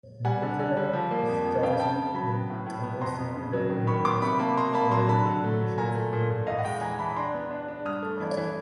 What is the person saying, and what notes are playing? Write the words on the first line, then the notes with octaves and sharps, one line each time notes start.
New Zealand is tasked with overseeing the country's foreign relations and defense.
G3 F#5 G#5
D3
D3
G3
F3
A#3
F2
F2
C#3 F5 G5
C#3 G5 A5
C#3
F#3 A5 B5
B3
A2
A2
B3
F2 A#5 C6
F2
C#3
F#3
D#3
D#3 B5 C#6
B3 C6 D6
C3 B5 C#6
A#3 A5 B5
B2 A#5 C6
A#3 A5 B5
F#3 A#5 C6
D3 A5 B5
D3
A3
F#3
A#2 G#5 A#5
A3
A#2
A#2
E2 D#5 F5
F#5
G#3 F5 G5
E3 G#5 A#5
E3 A5 B5
B5
D4 A#5 C6
B3
D4
D4
G2 D#6 F6
A3
E3
E3